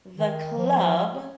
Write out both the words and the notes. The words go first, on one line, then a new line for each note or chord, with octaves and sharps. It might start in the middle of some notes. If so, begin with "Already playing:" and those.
the club,
D#3
F3